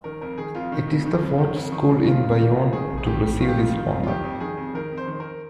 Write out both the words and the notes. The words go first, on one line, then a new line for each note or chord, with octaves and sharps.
It is the fourth school in Bayonne to receive this honor.
D#3 A#4
F2 A#4
D#3 G#4
F2 F4
D#3
F2
D#3
F2
D#3
F2
D#3
F2
D#3 F4
F2
D#3
F2
D#3 G#4
F2
G#4
D#3 G4
F2
D#3 F4
G4
F2 F4
D#3
F2
F4
D#3 G4
F2
D#3 G#4
F2
D#3 A#4
F2
C5
D#3
A#4